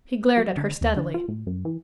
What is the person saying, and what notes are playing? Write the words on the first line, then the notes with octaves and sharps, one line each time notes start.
He glared at her steadily.
F#3
D3
D#2
D3
F4
A2
F#2
E3